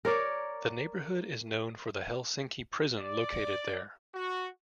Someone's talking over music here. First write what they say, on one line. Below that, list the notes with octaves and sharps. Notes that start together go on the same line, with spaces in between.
The neighbourhood is known for the Helsinki Prison located there.
A#4 C#5 D5
D5
F#4